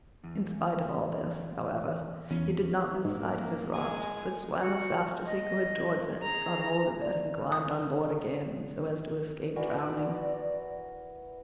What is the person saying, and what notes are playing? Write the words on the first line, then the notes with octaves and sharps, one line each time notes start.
In spite of all this, however, he did not lose sight of his raft, but swam as fast as he could towards it, got hold of it, and climbed on board again so as to escape drowning.
E2
E2 C#4
G#2 A#3
G#3 G#5
F#4
D#5
G#4 A#5
D5
D#6
E3 F#4 A#4 D5